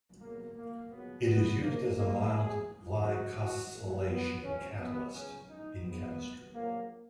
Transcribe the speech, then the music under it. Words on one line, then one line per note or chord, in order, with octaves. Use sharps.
It is used as a mild glycosylation catalyst in chemistry.
C#2 B2 F#3 A#3
A#3
C#2 B2 F#3 B3
B3
C#2 C#3 F3 A#3
A#3
B1 B2 F#3 G#4
C#2 C#3 F#3 F#4
F#4
A#1 A#2 F#3
B3
G#1 G#2 F3 C#4
B3
C#2 C#3 F#3 C#4
D#4
A#1 G#2 F3 B3
A#1 A#2 F#3 A#3